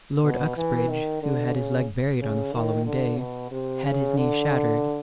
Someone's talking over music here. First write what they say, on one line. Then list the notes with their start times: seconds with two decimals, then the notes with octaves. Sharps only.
Lord Uxbridge, who had his leg buried on the following day, had his knee shattered.
0.24 B2
0.56 E3
0.89 D#3
1.22 D3
1.54 C#3
2.20 C#3
2.52 D#3
2.85 D3
3.18 B2
3.51 C3
3.84 C#3
4.16 D3